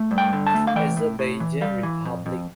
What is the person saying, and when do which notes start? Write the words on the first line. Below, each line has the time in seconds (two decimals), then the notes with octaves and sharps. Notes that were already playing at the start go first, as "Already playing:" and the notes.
Azerbaijan Republic.
Already playing: A3
0.11 G2
0.18 G5
0.33 D3
0.47 A5
0.54 A3
0.67 F5
0.76 E3 G5
0.97 A2
1.19 A2
1.40 E3
1.61 G3 F5
1.83 E3
2.05 F2
2.26 F2